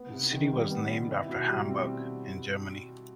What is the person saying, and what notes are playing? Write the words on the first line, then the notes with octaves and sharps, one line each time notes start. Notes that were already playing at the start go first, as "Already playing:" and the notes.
The city was named after Hamburg, in Germany.
Already playing: B3
C3
D#3
G3
B3
C3
E4
B2
G3
C4